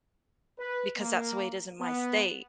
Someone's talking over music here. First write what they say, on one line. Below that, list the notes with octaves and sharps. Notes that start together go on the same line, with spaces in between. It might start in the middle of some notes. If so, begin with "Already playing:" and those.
because that's the way it is in my state.
B4
A#3
B3